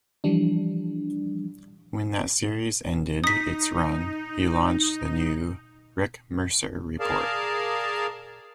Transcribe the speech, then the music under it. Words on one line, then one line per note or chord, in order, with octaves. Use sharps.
When that series ended its run, he launched the new "Rick Mercer Report".
E3 F3 G3 D4
D#4 D#6 B6
G#4 A#4 D5 F5 A5